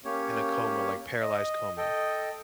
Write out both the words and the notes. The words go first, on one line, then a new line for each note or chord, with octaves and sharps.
in a coma, like, paralyzed coma.
A#3 C#4 G4 C#5
D#5
A4 D#5 G5